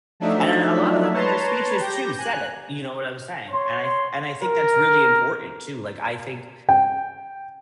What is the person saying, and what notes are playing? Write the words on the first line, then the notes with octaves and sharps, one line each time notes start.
And a lot of them in their speeches too said it, you know what I was saying, and I and I think that's really important too, like I think
F3 F#3 A3 D4 D#4 E5
B4 C#5 A5 A#5 C6
G4 G6 A#6
G#5 F#6
C#5 C6
A#4
G5